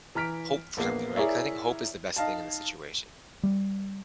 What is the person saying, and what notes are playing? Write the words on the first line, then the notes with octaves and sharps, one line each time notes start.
hope for something, right? 'Cause I think hope is the best thing in the situation.
E3 A#5 F6 B6 D7
A#1 A#3 B3 C7
E4 G#4 A#4 C#5 D5 E5
D#4 F5 A5
G3